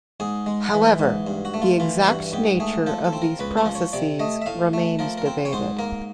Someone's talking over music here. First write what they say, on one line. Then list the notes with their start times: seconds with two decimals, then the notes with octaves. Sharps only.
However, the exact nature of these processes remains debated.
0.20 G#2 G#4
0.46 G#3
0.73 E3
0.99 G#2
1.27 G2
1.45 F#4
1.54 A3
1.62 F4
1.80 E3 F4
2.06 G2 F#4
2.33 G#2 G4
2.60 A3 G#4
2.87 F3 A4
3.04 A4
3.13 C4
3.22 A#4
3.39 C#2 B4
3.57 C5
3.66 F3
3.75 C#5
3.93 C3 D5
4.19 A3 D#5
4.42 E5
4.46 A2 F5
4.73 A3
4.99 F3 A#4
5.18 A#4
5.26 C4
5.45 C#5
5.53 G#2 C5
5.79 A#3 A#4